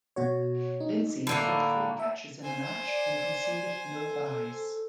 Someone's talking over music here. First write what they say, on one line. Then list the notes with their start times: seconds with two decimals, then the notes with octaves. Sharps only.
Lindsay took three catches in the match and conceded no byes.
0.16 B2 F#4 C#5
0.80 D#4
1.27 A2 D3 A#3
1.99 E5
2.42 C5 G#5
2.86 D5
3.94 A4